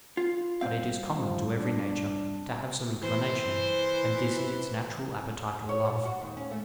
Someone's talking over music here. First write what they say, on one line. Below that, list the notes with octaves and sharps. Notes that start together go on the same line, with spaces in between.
But it is common to every nature to have some inclination; and this is its natural appetite or love.
F4
C2 C4 F5
F3
D4
E3 C5
C#5
A#2
F#4
D#2
C#4
A3